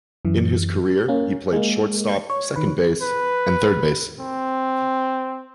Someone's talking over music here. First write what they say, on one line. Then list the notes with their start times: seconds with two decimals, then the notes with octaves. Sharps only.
In his career, he played shortstop, second base, and third base.
0.25 F#2 E3
1.08 A#3 C#4
1.52 G#3 A#3
2.30 C#5
2.56 D#3 B4
3.01 B4
4.20 C4